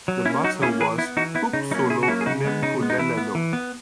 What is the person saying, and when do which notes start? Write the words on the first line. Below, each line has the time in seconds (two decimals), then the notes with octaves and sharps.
The motto was "uXolo neMpulelelo".
0.08 F#3
0.25 C#4 E4
0.30 A#3
0.44 F#3 D#4 F#4
0.62 C#4 E4 G#4
0.66 A#3
0.80 E3 G#4 B4
0.98 B3 E4
1.17 E3 D#4 F#4
1.35 B3 E4
1.53 C#3 D#4
1.71 F#3 A#3 C#4 D#4
1.90 C#3 E4 G#4
2.03 F#4
2.08 F#3 A#3 C#4 E4
2.21 G#4
2.26 C#3 D#4 F#4
2.45 G#3 B3
2.63 C#3 D#4
2.81 G#3 B3
2.90 D#4
2.98 E3 E4
3.17 B3
3.35 E3
3.53 B3